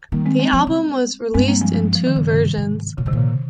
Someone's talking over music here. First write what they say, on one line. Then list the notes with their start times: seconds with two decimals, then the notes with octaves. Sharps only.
The album was released in two versions.
0.12 D#3 G3 A#3
0.26 G#3 C4
0.39 G#3 C4
0.53 F3
0.67 C#3
1.34 G2 G#3 C4
1.48 G3 A#3
1.62 F3 G#3
1.75 F3 G#3
1.95 F3
2.07 D#3
2.16 G2 C#3
2.31 C3 D#3
2.57 G#2
2.97 A#2 C#3
3.06 G#2 C3 D#3
3.13 A#2
3.18 C#3
3.28 C3